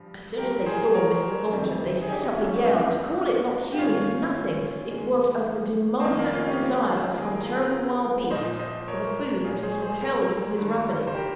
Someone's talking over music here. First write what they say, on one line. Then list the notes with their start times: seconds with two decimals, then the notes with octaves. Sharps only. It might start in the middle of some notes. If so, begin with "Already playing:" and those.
As soon as they saw Mr. Thornton, they set up a yell,--to call it not human is nothing,--it was as the demoniac desire of some terrible wild beast for the food that is withheld from his ravening.
Already playing: G2 F3
0.38 G2 F3 G4 A#4
0.66 G#4 C5
0.95 A#4 C#5
1.51 F2 C3 D#3
2.02 G#4
2.08 D#4 G4
2.28 D#4
2.36 C#4 F4
2.65 F2 C#3 F3 C4 D#4
3.72 G4
3.78 G#2 D#3 C#4 F4
4.91 G#2 D#3 G#3
6.00 C4
6.04 F2 D#3 A#3
6.19 A#3
6.33 C#4 F4
6.47 D#4 G4
7.18 G2 D#3 G#4
7.31 A#4
7.46 F4 G#4
8.31 A#2 F3 C5 D#5
8.59 C5 D#5
8.87 A#4 C#5
9.44 A#2 F3 F4 G#4
9.55 C#5
9.63 G#4 C5
9.82 G#4 C5
10.01 A#4 C#5
10.58 G2 D#3
11.07 C5
11.14 G4 A#4